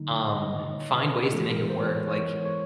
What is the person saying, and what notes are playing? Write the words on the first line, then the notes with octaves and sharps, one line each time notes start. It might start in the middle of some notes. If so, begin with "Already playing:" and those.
Um, find ways to make it work, like
Already playing: D3 F#3 A#3 D#4
D#5
C#5
B4
A4
E3 G#3 B3 E4 A4
A#4
C5
C#5
C#5
C#5